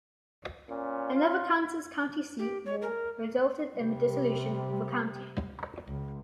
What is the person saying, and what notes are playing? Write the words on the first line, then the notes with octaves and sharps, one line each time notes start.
Another Kansas county seat war resulted in the dissolution of a county.
A#2 C#4
F4
G4
C#5
A#4
C3 G3
C#2